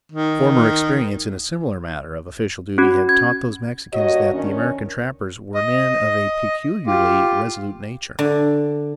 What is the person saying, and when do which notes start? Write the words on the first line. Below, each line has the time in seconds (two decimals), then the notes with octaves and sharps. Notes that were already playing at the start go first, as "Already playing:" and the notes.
Former experience in a similar matter of official duty had taught those Mexicans that the American trappers were men of a peculiarly resolute nature.
0.12 D#3
2.78 C#4 F#4
3.09 G#6
3.93 G2 A#3 F#4 C#5 D#5
4.32 D#3 C#4 D4
5.54 D#5
6.87 F4 G4
8.19 D3